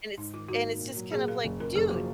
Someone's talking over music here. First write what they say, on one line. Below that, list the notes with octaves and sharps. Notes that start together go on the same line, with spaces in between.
And it's and it's just kind of like, "Dude,
G#2 D#4
D#3 F4
G#2 F#4
A#3
A#2
F#3
A#2 G#4
A#3 A#4
F#1
F#2 A#4
F#1 G#4
F3 F#4